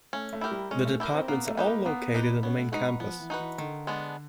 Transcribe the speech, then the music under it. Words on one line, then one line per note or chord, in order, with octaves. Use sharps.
The departments are all located on the main campus.
A3 C#4
A3
E4 G4 A#4
G3
G#3 C#4
A3
E4 G4 A#4
C4
A#3 B3
A3
D#4 G4 B4
A#3
A#3 B3
D#4 G4 B4
B3 C#4
A3
G#3 D#4 F#4 B4
F3 B3
E3
D#4 F#4 B4
E3
D3 D#3
G#3 B3 D4